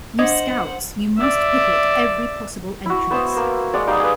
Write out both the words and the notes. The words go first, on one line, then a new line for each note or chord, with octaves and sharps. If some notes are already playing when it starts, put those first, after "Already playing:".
You scouts, you must picket every possible entrance.
D4 C5 D#5 F#5 D#6 G#6
D5 E5
E4 F#4
B3 C5 E5 E6
A#3
G#3 D5 D#5 F#5
G3 D#4 F5 D6
G#4 B4